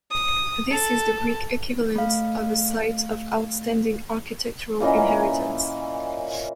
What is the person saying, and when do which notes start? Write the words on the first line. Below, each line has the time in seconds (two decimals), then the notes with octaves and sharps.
This is the Greek equivalent of a site of Outstanding Architectural Inheritance.
0.11 D#6
0.70 A4
1.96 A3 F5
4.80 A#2 E3 C#4 D#5